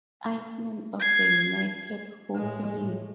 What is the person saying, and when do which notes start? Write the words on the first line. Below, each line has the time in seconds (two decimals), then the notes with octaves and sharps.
Icemen of the United Hockey League.
1.00 G#6 C7
2.36 A2 G#3
2.77 A2